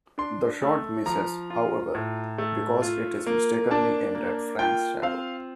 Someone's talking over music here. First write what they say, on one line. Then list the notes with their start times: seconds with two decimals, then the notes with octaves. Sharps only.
The shot misses, however, because it is mistakenly aimed at Frank's shadow.
0.18 D4 C6
0.62 A3
1.06 F3 A#5
1.50 F4
1.95 A2
2.38 A3
2.82 F4
3.27 A#3
3.71 D4 A5
4.15 A#3
4.59 F4 G5
5.02 C4 F5